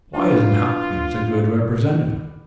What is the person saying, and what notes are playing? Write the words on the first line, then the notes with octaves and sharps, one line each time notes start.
"Why isn't Hopkins a good Representative?"
D4 E4 F4 B4